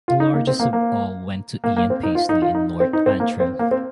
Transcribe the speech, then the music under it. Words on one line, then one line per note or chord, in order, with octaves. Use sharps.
The largest of all went to Ian Paisley in North Antrim.
F4
D#4
A#3
C4
A#3
A#3
A#3
A#3
C4
D#4
F4
D#4
F4
D#4
C4
D#4
C4
A#3
C4
A#3
C4